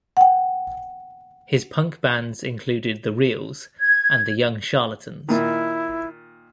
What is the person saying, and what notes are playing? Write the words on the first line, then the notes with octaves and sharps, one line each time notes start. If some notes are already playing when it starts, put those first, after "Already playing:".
His punk bands included the Reals and the Young Charlatans.
F#5 G5
G#6
A#2 D#3 E4